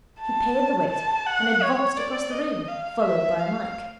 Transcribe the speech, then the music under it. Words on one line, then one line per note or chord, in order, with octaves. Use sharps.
He paid the waiter, and advanced across the room, followed by Mike.
A5
A5
F#5
C#5
D5
D#5
F5
E5
F5